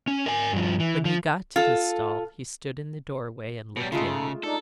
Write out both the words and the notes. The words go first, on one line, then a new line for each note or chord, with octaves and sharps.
When he got to the stall he stood in the doorway and looked in.
C#4
A#4 G#5
G2 F3
E3
F3
F4 A4
D2 B2 F#3 G3
C#3 G#3 A3 D#4 F4 A4
D4 D#4 A4